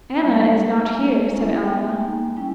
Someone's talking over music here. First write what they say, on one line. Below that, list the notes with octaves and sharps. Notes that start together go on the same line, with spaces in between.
"Anna is not here," said Alma.
G3 A#3 D#4
A#3 D#4 A#5
G3 A#3 D#4 G#5
G#3 C#4 E4
G#3 B3 D#4 G5
E5
G5
G#5
A#3 D#4
G3 C#4 E4 G5